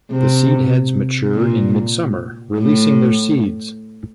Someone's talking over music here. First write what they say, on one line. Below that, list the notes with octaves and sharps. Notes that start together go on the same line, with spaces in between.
The seed heads mature in mid-summer, releasing their seeds.
C3
A#2
A2